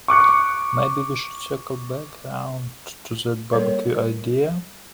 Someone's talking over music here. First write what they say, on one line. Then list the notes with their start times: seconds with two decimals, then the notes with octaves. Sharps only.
Maybe we should circle back round to that barbecue idea?
0.08 C#6 D6 F#6 C#7
3.53 G3 A#3 A4 A#4 C#5